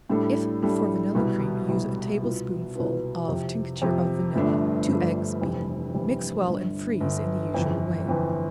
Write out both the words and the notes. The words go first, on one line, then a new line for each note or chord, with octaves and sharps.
If for vanilla cream; use a table-spoonful of tincture of vanilla, two eggs beaten; mix well and freeze in the usual way.
A2 G3 D4 A4
A2 G3 D4 A4
C2 B2 G3
C2 B2 G3
C2 B2 B3 F4 B4
C2 B2 B3 F4 B4
F2 C3 F3
F2 C3 F3
G1 G2 F3 A3 D4
G1 G2 F3 A3 D4
F1 F2 E3 G3
F1 F2 E3 G3
G1 G2 D3
G1 G2 D3
G1 F2 E3
G1 F2 E3